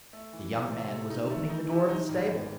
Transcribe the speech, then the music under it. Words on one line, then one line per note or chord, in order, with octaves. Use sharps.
The young man was opening the door of the stable.
A3
E3
C3 E3
A3
A3
D#4
E3 A3
D#4
C3
D#4
G#1 G#2
G#1